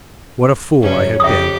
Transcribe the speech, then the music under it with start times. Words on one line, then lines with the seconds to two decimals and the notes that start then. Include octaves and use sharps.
What a fool I had been!
0.82 F#2 C#3 C#4
1.20 F2 C#3 G4 E5 D#6